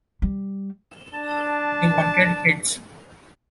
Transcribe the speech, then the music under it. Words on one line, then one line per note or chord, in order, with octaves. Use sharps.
They wanted hits.
G3
D4 A5